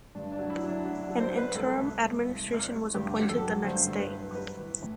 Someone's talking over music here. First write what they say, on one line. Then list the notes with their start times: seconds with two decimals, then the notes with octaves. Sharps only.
An interim administration was appointed the next day.
0.15 G2 D4
0.33 D4
0.39 F#3
0.50 E4
0.61 F#3
0.68 D4
0.85 F#3
1.02 D4
1.08 F#3
1.20 C5
1.32 F#3
1.37 B4
1.55 C2 A4
1.77 C2
2.02 C2
2.25 C2
2.48 C2
2.71 C2
2.94 G2 G4
3.18 F#3
3.29 A4
3.42 F#3
3.64 G2 C5
3.88 G2
4.00 B4
4.11 F#3
4.34 G3 B4
4.57 E3
4.81 A2